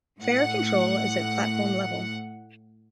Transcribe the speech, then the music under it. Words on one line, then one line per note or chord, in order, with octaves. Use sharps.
Fare control is at platform level.
A2 F#5